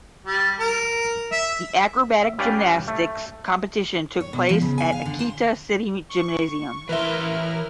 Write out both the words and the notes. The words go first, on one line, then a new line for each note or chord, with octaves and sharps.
The acrobatic gymnastics competition took place at Akita City Gymnasium.
G3
A#4
E5
E5
G3 C#4 B4 D5 F5 G5
A3
C#5
B2
F3
C#3
G#5
F5
D3
C5
C#6
E3 E4 A#4 B4 E5 C6 F6